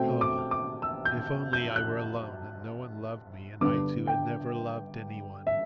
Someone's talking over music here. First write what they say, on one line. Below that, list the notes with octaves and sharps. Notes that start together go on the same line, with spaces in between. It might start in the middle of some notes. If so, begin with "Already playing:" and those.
Oh, if only I were alone and no one loved me and I too had never loved anyone!
Already playing: B2 A3 C4 G5
D6
D6
E6
G6
G6
F#6
G2 D3 G3 B3 D4 D6
G5
E5